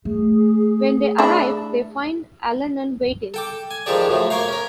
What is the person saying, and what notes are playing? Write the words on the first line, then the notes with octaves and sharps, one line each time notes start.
When they arrive, they find Allanon waiting.
A3 G#4
D4 E4
A4 G5 D6
G#5
D#3 F3 G#3 G4 A4 D5
F#2 F3 A3
A#3 A#4 C#5 F5
C#4 A#4